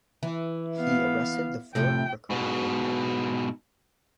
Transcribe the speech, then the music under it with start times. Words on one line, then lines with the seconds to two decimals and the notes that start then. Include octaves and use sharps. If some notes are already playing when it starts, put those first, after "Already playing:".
He arrested the four Procuratori.
0.23 E3
0.77 B3 F5
1.75 F2 A2 C3 G5
2.30 G#2 B2